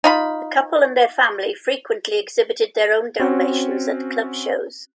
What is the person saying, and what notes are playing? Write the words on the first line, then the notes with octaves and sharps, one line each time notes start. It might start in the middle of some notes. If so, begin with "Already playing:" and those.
The couple and their family frequently exhibited their own Dalmatians at club shows.
D#4 F4 B5
C4 C#4 F#4